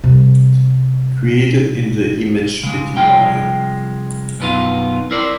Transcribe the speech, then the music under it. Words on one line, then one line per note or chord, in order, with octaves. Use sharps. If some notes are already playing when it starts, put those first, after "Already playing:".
Created in the Image Pty.
C3 G3
C#3 G#3
C2 F3 G#3 G5
F#2 B2 B3 D#4 F4
E4 A#4 C5 D5